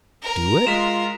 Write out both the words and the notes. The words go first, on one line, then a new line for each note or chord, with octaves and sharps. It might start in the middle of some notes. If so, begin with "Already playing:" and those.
Do it?
A#4
G#3 F4 B6 E7